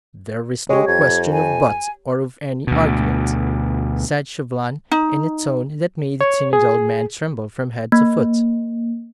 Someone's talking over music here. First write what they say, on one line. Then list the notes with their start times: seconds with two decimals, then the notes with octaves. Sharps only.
"There is no question of 'but' or of any argument," said Chauvelin, in a tone that made the timid old man tremble from head to foot.
0.69 G#3 G4 C#5
0.88 F2 G#6
1.32 G#5
2.67 D2 B2
4.92 D#4
6.21 C#5
6.53 G#4
7.92 A#3